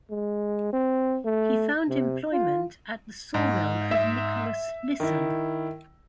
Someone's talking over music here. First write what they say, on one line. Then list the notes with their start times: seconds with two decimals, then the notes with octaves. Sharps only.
He found employment at the sawmill of Nicholas Lisson.
0.10 G#3
0.73 C4
1.25 A3
1.89 C3
2.33 F4
3.34 G#2
3.91 E5
5.00 D#3 E4